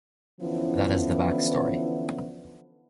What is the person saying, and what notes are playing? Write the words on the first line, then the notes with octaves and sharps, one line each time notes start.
That is the backstory.
D3 E3 F3 B3 C#4 E4